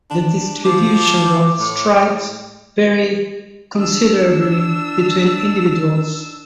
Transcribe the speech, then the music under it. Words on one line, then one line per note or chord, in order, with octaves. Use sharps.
The distribution of stripes varied considerably between individuals.
D4
F3 D6
A2
D4 E6